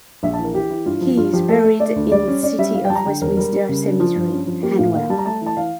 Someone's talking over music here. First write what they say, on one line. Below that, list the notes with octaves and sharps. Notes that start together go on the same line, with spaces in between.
He is buried in City of Westminster Cemetery, Hanwell.
A#1 E5
A5
E3
A#4
E3 G4
E3
G2 F4
F3
G2 F4
F3 G4
A3 A4
A3
A3 D5
D2
G3 D5
C#4
C#4 D5
G3 E5
G3 F5
G5
G3 A5
A#5
D3 G5
E1 A#4
G3 A#4
G3
C#3
D4
F3 F4
G2
C#4
F3
A#3 G4
A2 F5
A#3 F5
G3 A5
A#5
A3 A5
E3 A5
E3 F5